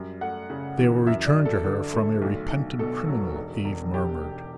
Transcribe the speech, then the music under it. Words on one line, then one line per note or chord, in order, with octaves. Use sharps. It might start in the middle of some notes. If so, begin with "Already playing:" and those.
"They were returned to her from 'a repentant criminal,'" Eve murmured.
Already playing: F#2 G3
A3 F#5
C#3
E3
F#2 E5
D5
F#2
A4
D3
A3
B1
B1
B2 A4
F#3
E1
E1
G4